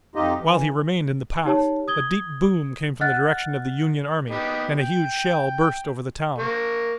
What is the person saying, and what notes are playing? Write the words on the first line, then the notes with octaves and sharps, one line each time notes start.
While he remained in the path a deep boom came from the direction of the Union army and a huge shell burst over the town.
F2 D#4 F4 G4 D#5
E3
D#4 G4 C#5 A5
D#6 G#6 G7
D#5 F#5 F6 F#6 A6
B3 D#4 G4
G5
A#3 C#6